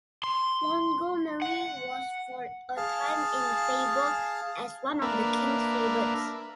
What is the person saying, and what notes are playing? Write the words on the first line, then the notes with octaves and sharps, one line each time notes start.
Montgomerie was for a time in favour as one of the king's "favourites".
C6
F#5
G#4 F5 A5
A#3 D4 A#4 B4 E5